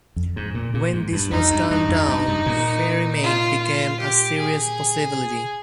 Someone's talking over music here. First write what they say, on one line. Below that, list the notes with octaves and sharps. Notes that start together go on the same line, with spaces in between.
When this was turned down, Ferrymead became a serious possibility.
F2
G#2
A#2
A#2
G#2
G2
F2 D#4
G2
G2 D#4
F2
G2
G2
A#2
F4
F4
G4
G#4